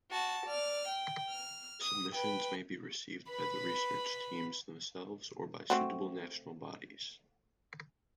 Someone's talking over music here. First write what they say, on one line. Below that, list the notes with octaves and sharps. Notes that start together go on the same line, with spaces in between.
Submissions may be received by the research teams themselves or by suitable national bodies.
F#4 A5
D5 F6
G5
F6
D#6
B4 G5
B4 B5
A3 C4 F#4